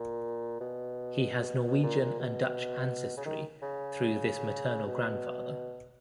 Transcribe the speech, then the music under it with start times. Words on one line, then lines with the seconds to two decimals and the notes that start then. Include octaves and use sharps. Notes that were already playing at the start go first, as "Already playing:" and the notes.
He has Norwegian and Dutch ancestry through this maternal grandfather.
Already playing: A#2
0.61 B2
1.67 B2
1.84 A#2
2.01 A#2
2.19 B2
3.17 C#3
3.26 D#3
3.62 C#3
4.86 B2